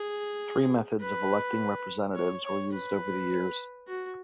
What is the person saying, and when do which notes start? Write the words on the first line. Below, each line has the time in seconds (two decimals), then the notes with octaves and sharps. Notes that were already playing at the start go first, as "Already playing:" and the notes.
Three methods of electing representatives were used over the years.
Already playing: G#4
1.01 B4
2.15 C#5
2.44 C#5
2.72 B4
3.87 F#4